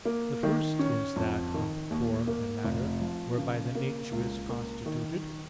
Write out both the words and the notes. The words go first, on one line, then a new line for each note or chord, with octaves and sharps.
The first is that of form and matter, whereby the nature is constituted.
A#3
D#3
C#4
F2
D#3
D#2
A#3
F1
F3
C#3
A#3
C#2
A#3
D#3